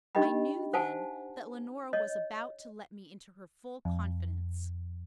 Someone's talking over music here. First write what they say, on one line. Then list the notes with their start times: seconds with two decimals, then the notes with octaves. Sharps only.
I knew then that Leonora was about to let me into her full confidence.
0.15 D4 D#4 G4 D#5 G5 B5
0.73 C5 F5 F#5 G#5 A5
1.93 C#5 D#5
3.85 F2